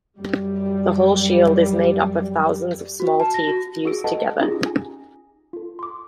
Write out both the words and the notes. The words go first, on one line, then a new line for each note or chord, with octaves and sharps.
The whole shield is made up of thousands of small teeth fused together.
F#2 G3
F#4
A5
A#6
F#4
F#4 G#4 E6 D7
A4 B4 D#5 F#5 A5
C#4 D#4 F4 G4 G#4 A#6
G#5
F4 A4
C6 D6